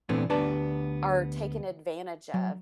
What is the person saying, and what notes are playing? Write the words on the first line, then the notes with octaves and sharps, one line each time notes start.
are taken advantage of.
A#2 E3 A3 B3 C4 D4
D2 B3 D4 G4 B4 A5
F#3